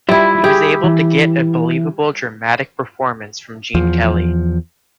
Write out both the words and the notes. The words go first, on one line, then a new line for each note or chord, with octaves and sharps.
He was able to get a believable, dramatic performance from Gene Kelly.
G3 E4 F4 E5
G4 G#4 E5
E3
E2 F3